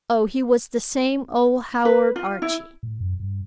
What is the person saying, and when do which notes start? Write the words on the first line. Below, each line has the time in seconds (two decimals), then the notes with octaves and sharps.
Oh, he was the same old Howard Archie!
1.85 B4
2.16 F4
2.42 E4
2.83 A2
3.00 F#2
3.20 G2